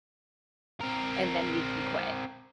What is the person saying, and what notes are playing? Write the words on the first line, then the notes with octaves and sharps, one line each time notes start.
and then you can quit."
C4 A#4